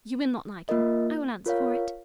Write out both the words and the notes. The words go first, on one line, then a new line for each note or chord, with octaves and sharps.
"You will not like him, I will answer for it."
A#3 F4 A#4 D#5
F4 A#4 C#5 F5